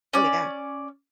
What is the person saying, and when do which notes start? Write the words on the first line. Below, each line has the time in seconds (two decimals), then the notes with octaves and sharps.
Oh, yeah.
0.13 C#4 D5